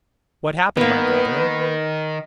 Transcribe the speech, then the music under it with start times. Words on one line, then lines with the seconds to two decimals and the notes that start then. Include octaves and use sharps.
What happened, my brethren?
0.77 D#3 A#3 B3 B4